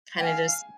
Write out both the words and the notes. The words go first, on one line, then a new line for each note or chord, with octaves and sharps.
kinda just
G5
F5 G#5